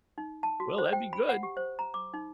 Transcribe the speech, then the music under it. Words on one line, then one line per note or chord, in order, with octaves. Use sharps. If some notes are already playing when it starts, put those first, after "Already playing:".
Well, that'd be good.
D#4
A5
F#4
C5
G5
B5
F#5
G4
C5
A#5
D6
D#4